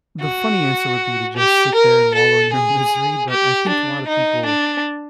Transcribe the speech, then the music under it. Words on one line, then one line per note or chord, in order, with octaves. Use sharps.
the funny answer would be to just sit there and wallow in your misery, but I think a lotta people
F#4
G4
A#4
A4
G#4
G4
D4
D#4
D4